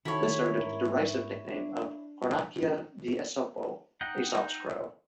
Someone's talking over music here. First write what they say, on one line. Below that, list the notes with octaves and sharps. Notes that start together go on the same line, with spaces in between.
This earned it the derisive nickname of "Cornacchia di Esopo" Aesop's Crow.
D#3 E4 F#4 A4 C#5
G#2 A#4
D4 D5
D#4 F#5 G5 A#5